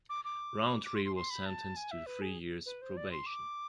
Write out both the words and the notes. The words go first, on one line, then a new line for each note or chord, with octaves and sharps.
Rountree was sentenced to three years probation.
D6
D6
D6
C6
C6
C6
B5
A5
G#5
E5
B4
G#4
B4
C5
D5
C6
D6